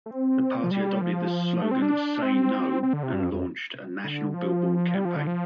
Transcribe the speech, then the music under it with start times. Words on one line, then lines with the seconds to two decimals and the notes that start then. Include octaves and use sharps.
The party adopted the slogan "say no" and launched a national billboard campaign.
0.06 A3
0.11 C4
0.64 F3
0.71 G3
1.01 F3
1.62 A3
1.71 C4
1.82 D4
2.22 C4
2.83 C4
2.93 D3
3.03 C3
3.13 G2
3.23 F2
3.33 F2
4.04 D3
4.34 F3
4.95 G3
5.05 F3
5.16 D3
5.27 F3